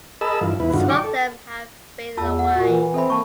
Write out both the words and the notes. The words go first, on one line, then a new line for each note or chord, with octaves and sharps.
Some of them have faded away.
G#4 A#4 D#5 A5 B5 E6
G2 E3 F4
E2 E4 B4
G2 D3 D#3 F4 F#4
D5 G5 C#6 D6
A4
E2 F4 A5 E6
F#5
A#2 F#4
E3
C4 A4 E5 B5
A#3 A5 C#6